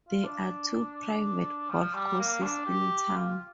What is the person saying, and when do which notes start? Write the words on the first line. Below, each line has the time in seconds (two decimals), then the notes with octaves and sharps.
There are two private golf courses in town.
0.09 F4
0.24 D4
1.70 F3
1.94 G3
2.18 A#3
2.42 D4
2.66 G4
3.15 F4